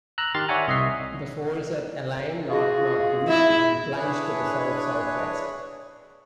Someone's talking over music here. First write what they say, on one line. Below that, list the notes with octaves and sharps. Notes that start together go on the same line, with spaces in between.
The folds are aligned north-north east and plunge to the south south west.
A#5 E6 F#6
D#3 G4 C6 F6 A6
C#5 D5 E5 F#5 G#5 A#5
C2 D#5 E5 C7
F4 F#4 G#4
E4
D4 E4 G#4 B4 C#5